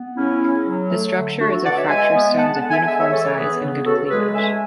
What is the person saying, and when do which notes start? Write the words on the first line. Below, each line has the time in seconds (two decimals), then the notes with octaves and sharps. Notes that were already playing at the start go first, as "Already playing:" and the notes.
The structure is of fracture stones of uniform size and good cleavage.
Already playing: B3
0.16 C#3 C#4 E4
0.41 C#3
0.66 F#3
0.90 A3
1.15 D3
1.39 A3 D4 F#4
1.52 F#4 A4
1.64 B2 D5 F#5
1.76 C#5 E5
1.89 G#3 E5 G#5
2.13 B3
2.38 B3 F#5 A5
2.54 F#5 A5
2.62 D3
2.70 E5 G#5
2.87 G#3 E5 G#5
2.99 C#5 E5
3.11 E3 A4 C#5
3.24 A4 C#5
3.36 B3 G#4 B4
3.61 C#3
3.85 C#3 F#4 A4
4.09 G#3 G#4 B4
4.34 A3 E5 G#5